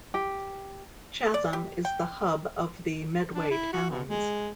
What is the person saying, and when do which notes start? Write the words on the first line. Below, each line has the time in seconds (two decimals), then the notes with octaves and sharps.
Chatham is the hub of the Medway Towns.
0.14 G4
1.34 D5
1.53 G4
1.85 G5
3.33 D4
3.51 E4
3.73 F#4
3.90 B2
4.08 G#3